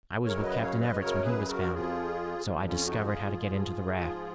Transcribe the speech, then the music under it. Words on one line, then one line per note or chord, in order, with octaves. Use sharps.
I was with Captain Everts when he was found, so I discovered how to get into the raft.
F#2 C#3 F#3 A#4 C#5
B4 D#5
C#5 F5
B4 D#5
F#2 C#3 F#3 A#4 C#5
G#4 B4
F#4 A#4
F2 F3 F4 G#4
F2 F3
C#4 F4
D#4 F#4
F#4
F4 G#4
G#2 F3
G#2 F3